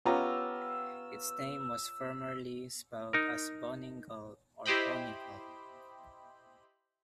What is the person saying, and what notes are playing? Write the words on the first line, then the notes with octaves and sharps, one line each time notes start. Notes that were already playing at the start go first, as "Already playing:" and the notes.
Its name was formerly spelt as Boningall or Bonninghall.
B3 C#4 F4 G4 A#5 E6
D#4 A#4
E4 G4 C5 D#5 G5 B5